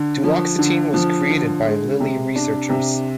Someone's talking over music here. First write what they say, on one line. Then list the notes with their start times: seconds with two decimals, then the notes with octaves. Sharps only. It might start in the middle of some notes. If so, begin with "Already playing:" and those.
Duloxetine was created by Lilly researchers.
Already playing: D3
0.24 F3
0.59 D3
0.94 F3
1.30 D3
1.65 G#3
2.00 C3
2.36 D4
2.70 C3